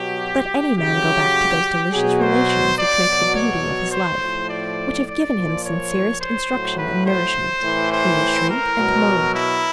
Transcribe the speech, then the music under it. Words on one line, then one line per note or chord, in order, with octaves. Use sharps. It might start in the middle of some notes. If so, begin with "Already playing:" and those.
Let any man go back to those delicious relations which make the beauty of his life, which have given him sincerest instruction and nourishment, he will shrink and moan.
Already playing: B2 F#3 G4
C#3 F#3 G4
B2 F#3 G#4
C5
D5
B2 F#3
C#5
C5
A2 F3
D5
D5
A#2 F3
C#5
C5
A2 F#3
B4
C5
A2 E3
C5
A#4
B2 F#3
E4